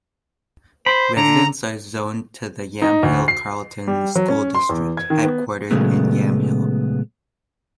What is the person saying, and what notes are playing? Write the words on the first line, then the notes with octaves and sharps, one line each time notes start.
Residents are zoned to the Yamhill Carlton School District, headquartered in Yamhill.
C5 B5
D3 A#5
D#4
D2
C7
G3
F#3
C#4
C6
E2
G#6
D#3
B3
A#2 C#3 F#3 G#3 A3 B3